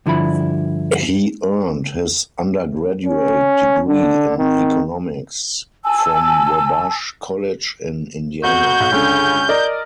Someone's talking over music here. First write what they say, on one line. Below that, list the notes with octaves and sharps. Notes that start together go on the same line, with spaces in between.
He earned his undergraduate degree in Economics, from Wabash College in Indiana.
G2 D3 F3 E4 B5
C#4
D3 D4
D#3 C4
G#5 A5 E6
F2 F#4 G6
B1
C#2 G2 D3 C#4
A#4 D5 D#5